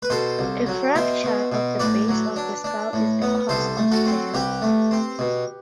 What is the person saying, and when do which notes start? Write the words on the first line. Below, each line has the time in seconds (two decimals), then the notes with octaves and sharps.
A fracture of the base of the skull is the cause of death.
0.03 B4
0.10 B2 A4 C5
0.39 C2
0.67 F#3
0.95 B2 C5 E5
1.24 B2
1.52 B2
1.80 A2 B4 D5
2.09 F#3
2.36 D4
2.64 D4
2.93 A2
3.22 B3
3.49 C2 A4 C5
3.77 A3
3.91 F#4 A4
4.06 C4
4.34 C2 G4 B4
4.62 A3
4.91 C4
5.19 B2